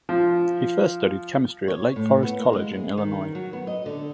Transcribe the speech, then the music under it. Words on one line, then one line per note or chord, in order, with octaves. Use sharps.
He first studied chemistry at Lake Forest College in Illinois.
F3
C#5
A2
B3
A#3
G#3
G#4
D#3
F#3
B3
D#5
D3